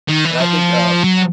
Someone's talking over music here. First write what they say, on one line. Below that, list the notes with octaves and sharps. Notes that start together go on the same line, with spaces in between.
And I think, um,
D#3
E3
F3
F#3